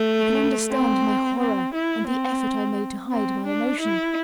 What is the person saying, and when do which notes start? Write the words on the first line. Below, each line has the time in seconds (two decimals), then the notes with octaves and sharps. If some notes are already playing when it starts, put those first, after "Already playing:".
You can understand my horror and the effort I made to hide my emotion.
Already playing: A3
0.71 C4
1.39 C4
1.74 E4
2.08 C4
3.12 C4
3.46 D4
3.80 E4